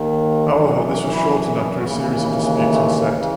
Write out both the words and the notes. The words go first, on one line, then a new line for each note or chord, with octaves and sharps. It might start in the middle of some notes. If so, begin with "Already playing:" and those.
However, this was shortened after a series of disputes on set.
Already playing: D#2 D#3
F#2 E3 A3
A3
B3
C#4
C#4
E4
D#2 C#3 E3 F#4
E4
E4
E4
C#4
B3
A3
G#3
A3
C#3 E3